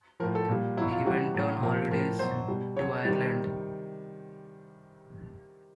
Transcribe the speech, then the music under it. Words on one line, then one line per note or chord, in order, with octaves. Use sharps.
He went on holidays to Ireland.
A2 F3 A#4
A4
A#2 G3
B2 F#3 E4
F4
C3 E3 G3 F#4
A2 F#3
A#2 F3 A#4
A2 F3 A#4
B2 F#3 C5
B2 G3
C#3 F#3 C#5
C3 D#3 G3